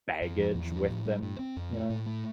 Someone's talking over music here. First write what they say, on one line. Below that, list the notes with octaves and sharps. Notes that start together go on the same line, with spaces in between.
baggage with them, you know.
F2
F3
E2
F3
A2
G3
G2
C4
F2
A3
A2
A3